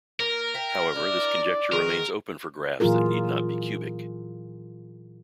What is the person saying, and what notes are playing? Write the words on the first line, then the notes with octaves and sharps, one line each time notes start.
However, this conjecture remains open for graphs that need not be cubic.
A#3 A#4
E5 G5
D4 E4 D5
D#3 G#3 B3 A#4
A#2 E3 F#3 F4 G#4 A#4